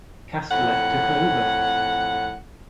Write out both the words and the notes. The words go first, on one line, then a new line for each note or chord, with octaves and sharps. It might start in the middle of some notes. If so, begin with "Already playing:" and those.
Castellet took over.
F2 A2 F#5